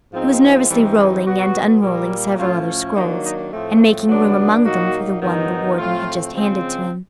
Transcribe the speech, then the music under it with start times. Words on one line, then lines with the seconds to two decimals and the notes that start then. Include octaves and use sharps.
He was nervously rolling and unrolling several other scrolls, and making room among them for the one the Warden had just handed to him.
0.12 G#2 F3 G#3 C4 D#4
0.68 G2 E3 G3 C4 D#4 A4
0.97 G#4
1.25 B2 F#3 B3 F#4
1.82 A#2 G3 A#3
2.37 A2 F3 A3 C#4 F4
2.95 D#3 F#3 A#3 D4 D#4
3.23 D#4
3.50 A2 F3 A3 C4
4.08 C#3 F#3 B3 D4
4.63 A#2 F#3 A#3 D#4 F#4
5.20 G2 D#3 F#3 B3 D#4
5.77 A2 F3 A3 C4 F4
6.34 C#3 F3 G#3 C4